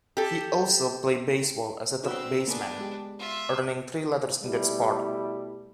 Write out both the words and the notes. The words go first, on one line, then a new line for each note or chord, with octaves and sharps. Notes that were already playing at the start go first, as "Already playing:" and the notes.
He also played baseball as a third baseman, earning three letters in that sport.
G4 A4
C4 D4 F#4 B4 E6
A#3 B3 D4 G#4 B4
G#3 G4
F4 E5
B2 G3 A3 E4